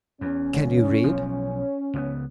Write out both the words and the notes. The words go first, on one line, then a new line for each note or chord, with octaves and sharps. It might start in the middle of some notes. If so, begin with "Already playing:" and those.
"Can you read?"
E2 C#4
E1 C#2
B1 F3
C#2 G3 B3